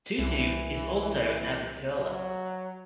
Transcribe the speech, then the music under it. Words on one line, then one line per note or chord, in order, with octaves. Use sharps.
Tootoo is also an avid curler.
C2 E3
F#3